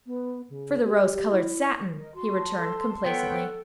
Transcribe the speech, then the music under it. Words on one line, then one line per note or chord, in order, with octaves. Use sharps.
"For the rose-colored satin," he returned, complacently.
B3
C#3
G4
G4
E4
A#4 D#5
F#4 A5 C6
A4
B3 A4 C#5 F#5 G5